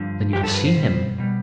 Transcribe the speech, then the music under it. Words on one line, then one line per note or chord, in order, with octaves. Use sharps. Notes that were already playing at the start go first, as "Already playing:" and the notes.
"Then you have seen him?"
Already playing: G2 D3 F3
G2 D3 F3 G4
A4
B4
C5
B2 G3
B2 G3